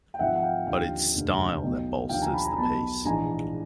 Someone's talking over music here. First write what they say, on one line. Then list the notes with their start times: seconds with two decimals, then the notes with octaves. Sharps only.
But it’s style that bolsters the piece.
0.14 G5
0.19 G#1 G#2 F3 E5 F#5
0.36 F#5
0.43 F5 G5
0.67 D#2 D3 F3 F5 G5
1.14 F1 D#2 D3
1.62 B1 B2
2.09 D#2 D3 F3 F5 G5
2.22 G#5 A#5
2.33 A5 B5
2.45 G#5 A#5
2.57 B1 B2 A5 B5
3.05 A#1 G#2 E3 G#5 A#5